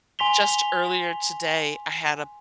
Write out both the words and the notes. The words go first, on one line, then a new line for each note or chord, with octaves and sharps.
just earlier today, I had a
G#5 C6 B6 F7 G7